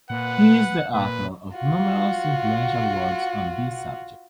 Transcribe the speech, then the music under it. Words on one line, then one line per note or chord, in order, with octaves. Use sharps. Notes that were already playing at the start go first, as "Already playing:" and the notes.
He is the author of numerous influential works on this subject.
A#2 B4 F#5
A#2 B4
F4 F#4